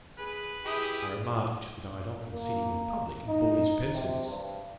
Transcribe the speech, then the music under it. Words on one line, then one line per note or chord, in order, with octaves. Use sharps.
I remarked that I had often seen him in public, and bought his pencils.
G#4 B4
E4 G4 G#4 G5 D#6
A#3
D#4
C3
G2